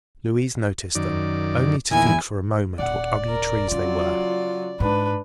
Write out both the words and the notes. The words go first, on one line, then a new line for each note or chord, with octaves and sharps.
Louise noticed them, only to think for a moment what ugly trees they were.
F#2 D#3 D5
E2 A#2 D#3 E3 E4 G#5
D#1 D5 F#5
A#4
C#3 F#3 F4
G#2 D4 B4